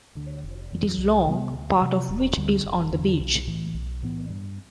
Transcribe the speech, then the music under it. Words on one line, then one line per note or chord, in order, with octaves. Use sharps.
It is long, part of which is on the beach.
D2 D3
F1
F2 E3
C2
C3 G3 B3
D2
C3 F3
E1
D2 D3 G3
F1
E2 D3
B1
A2 E3
B1
A2 E3 B3
G2